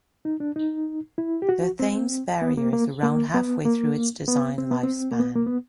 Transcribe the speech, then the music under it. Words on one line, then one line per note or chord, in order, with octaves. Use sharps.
The Thames Barrier is around halfway through its designed lifespan.
D#4
D4
D#4
E4
G4
F#4
C4
B3
A#3
A#3
A#3
B3
A#3
B3
C4
B3
C4
A#3
B3
A#3
B3